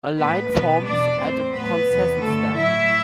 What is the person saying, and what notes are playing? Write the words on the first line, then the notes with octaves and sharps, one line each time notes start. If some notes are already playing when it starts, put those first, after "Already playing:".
A line forms at the concession stand.
A2 G3 B3 B4
B2 G3 B3 B4
E2 B2 G3 D4 D5
A2 G3 C4 C5
A2 F#3 B3 B4
E2 C3 G3
G2 D3 F#3 A3 A4
A2 F#3 E4 E5